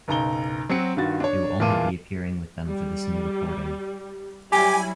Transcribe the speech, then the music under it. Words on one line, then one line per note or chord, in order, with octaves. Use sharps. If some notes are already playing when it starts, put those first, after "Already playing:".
He will only be appearing with them for this new recording.
F#1 B1 A#5 G7
F#3 C4 F#4 C#7
G2 D#3 F4 F#4 A6
D4 C#5
E2 A#2 F4 A5 D6 D#7
G3
F#3 G3 E4 G4 G#5